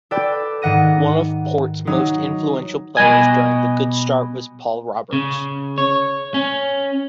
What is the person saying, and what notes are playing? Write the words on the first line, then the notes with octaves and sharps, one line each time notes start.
One of Port's most influential players during the good start was Paul Roberts.
A4 B4 D5 G5
G#2 D#3 F#5 A#6 D#7
F#3 D#4
B2 G3 D#5 G#5
C#3
C#5
C#4